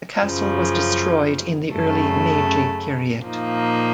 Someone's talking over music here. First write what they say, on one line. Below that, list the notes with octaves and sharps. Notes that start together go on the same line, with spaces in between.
The castle was destroyed in the early Meiji period.
F#2 C#3 F3
F#2 C#3 A3
A#2 F3 A#3 D#4